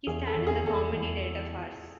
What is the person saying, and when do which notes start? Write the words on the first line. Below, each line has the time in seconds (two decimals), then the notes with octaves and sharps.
He starred in the comedy "Delta Farce".
0.07 E2 G#4
0.27 A4
0.37 E2
0.47 G#4
0.66 E2 A4
0.96 E2